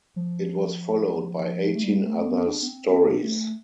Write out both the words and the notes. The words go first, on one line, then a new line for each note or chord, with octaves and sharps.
It was followed by eighteen other stories.
F3
A3
G3
A3
B3
D4
B3
C4
B3
C4
A3